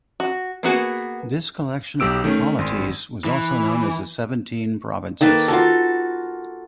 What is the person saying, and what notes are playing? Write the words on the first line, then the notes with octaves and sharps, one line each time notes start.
This collection of polities was also known as the Seventeen Provinces.
F#4
A#3 B3 F#4 G#4
B1 G4 E6 D7
D#3 A3 C#4
G#1 C6
E3
D#3 A#3 A4 B4
F4 F#4 A4